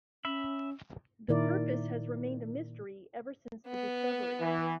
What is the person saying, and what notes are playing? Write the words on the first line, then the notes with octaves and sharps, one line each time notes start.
The purpose has remained a mystery ever since the discovery.
C#4 E5 B5
A#2 D#3 E4 A#4 D5
B3
E3